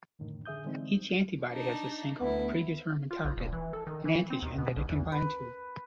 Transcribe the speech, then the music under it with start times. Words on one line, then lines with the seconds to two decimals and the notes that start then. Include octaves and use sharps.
Each antibody has a single predetermined target, an antigen, that it can bind to.
0.19 F2 A2 D3 D#3
0.45 D3 G#4 E5 D#6 G6
0.65 D3 E3 G#3 C4 D4 D#4
1.51 D4 D#4
2.20 D2 B3 E4
3.11 F4
3.25 B1
3.37 E1
3.53 E3
3.73 A4
3.87 D#3
4.05 E3
4.30 C4
4.42 D#2
4.58 B2
4.77 B1
4.89 E2
5.12 B4